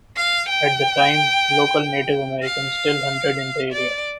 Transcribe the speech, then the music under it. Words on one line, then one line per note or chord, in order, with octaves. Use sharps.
At the time, local Native Americans still hunted in the area.
F5
G5
F5
D5